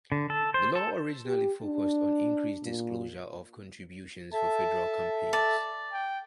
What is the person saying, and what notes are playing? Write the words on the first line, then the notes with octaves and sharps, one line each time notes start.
The law originally focused on increased disclosure of contributions for federal campaigns.
D3
A4
C5
A4
G4
D4
A#2
A4 E5 A5
D5 A5
G5